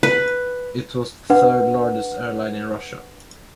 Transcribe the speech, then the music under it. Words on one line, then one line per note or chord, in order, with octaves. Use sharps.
It was the third largest airline in Russia.
B4
D4 B4 F#5